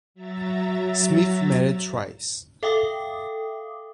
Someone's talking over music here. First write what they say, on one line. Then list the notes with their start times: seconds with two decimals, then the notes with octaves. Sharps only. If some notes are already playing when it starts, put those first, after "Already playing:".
Smith married twice.
0.14 F#3 E5 A#5 A6
2.63 A4 E5 F5 G5 D6 D#6